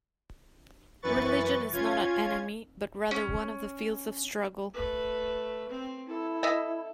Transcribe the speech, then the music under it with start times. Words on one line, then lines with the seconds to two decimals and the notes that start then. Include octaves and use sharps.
Religion is not an enemy but rather one of the fields of struggle.
1.02 F#2 E3 B4 C#6 A6
1.72 C#4 F4 G#6
3.11 C#4
4.74 A3 B4
5.69 C4
6.07 E4 A4
6.43 D#5 E5